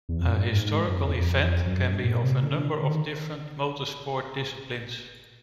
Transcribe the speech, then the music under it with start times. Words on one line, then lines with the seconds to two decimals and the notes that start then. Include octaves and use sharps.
A historical event can be of a number of different motorsport disciplines.
0.09 E2
0.19 F2
0.29 F#2
0.40 G2
0.50 G#2
0.88 F#2
0.98 F2
1.08 E2
1.17 F2
1.66 F#2
1.78 F#2
1.91 G2
2.04 A#2
2.24 C3
2.43 D3
2.82 D3
2.91 D#3